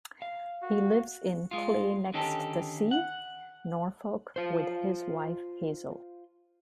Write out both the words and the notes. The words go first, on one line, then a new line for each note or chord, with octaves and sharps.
He lives in Cley-next-the-Sea, Norfolk with his wife Hazel.
F5
F#4
G#3 F4
D3 D#3 C#4 D#4 G4 A4
F#5
F4 C5